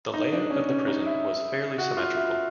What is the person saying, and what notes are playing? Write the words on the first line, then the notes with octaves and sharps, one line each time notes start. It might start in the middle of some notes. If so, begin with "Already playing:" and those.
The layout of the prison was fairly symmetrical.
D#4
D4
C#4
C#4
D#4
E4
F#4
F4
E4